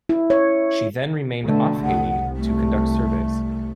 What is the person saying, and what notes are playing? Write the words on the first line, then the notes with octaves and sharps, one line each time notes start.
She then remained off Haiti to conduct surveys.
E4
C#5
B2 D3 A3
C2 F#5
A3